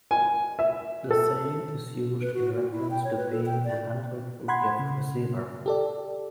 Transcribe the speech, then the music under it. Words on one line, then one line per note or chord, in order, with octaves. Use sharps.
The saying is used in reference to being an ungrateful gift receiver.
G#5
E5
A4
B4
F#4
F#4
E4
G5
C#5
B4
A4
G5
D5
F#5 B5 C6 G#6
C#3
G4 A4 D5